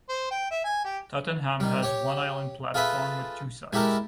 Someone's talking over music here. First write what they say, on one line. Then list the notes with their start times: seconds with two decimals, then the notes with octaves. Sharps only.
Tottenham has one island platform with two sides.
0.09 C5
0.31 G5
0.51 E5
0.64 G#5
0.85 G4
1.60 D#3 G3
1.82 G4 C#5
2.74 F4 G#4 A4 B4 E5
3.73 G#3 E4 G4 A4 A#4